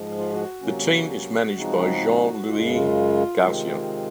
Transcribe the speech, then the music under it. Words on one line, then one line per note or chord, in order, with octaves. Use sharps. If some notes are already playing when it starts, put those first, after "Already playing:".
The team is managed by Jean-Louis Garcia.
Already playing: G#2 F3 G#3
F4
F#4
C3 F#3 A#3 C#4
C#3 F3 G#3 C4 D#4
F#2 C#3 G#3 F4
F4
C3 D#3 G#3 C4